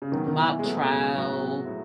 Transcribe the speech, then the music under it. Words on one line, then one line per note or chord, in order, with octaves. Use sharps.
mock trial,
C#3
B2 D#3 F#3 B3
D#3
E3
G#3
B2 F#3 A3 B3
G#3
A2 F#3 G#3 B3 F#4
A2 F#3 B3